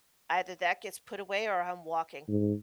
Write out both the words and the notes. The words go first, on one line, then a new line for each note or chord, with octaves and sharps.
"Either that gets put away or I'm walking."
G#2